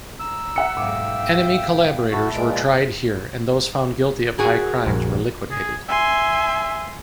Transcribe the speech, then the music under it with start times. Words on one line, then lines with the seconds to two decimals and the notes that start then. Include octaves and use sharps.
Enemy collaborators were tried here and those found guilty of high crimes were liquidated.
0.20 A#5 E6
0.56 E5 F#5 C#7
0.77 B1 G#2 E5 F5 G5 D6
2.12 F#4 E5 A5 B5
2.34 A#2 G#3 F4 B4 D5 D7
4.38 F#4 G#4 A#4
4.86 A#1 F2 A#2
5.51 G#4
5.89 E5 G#5 C6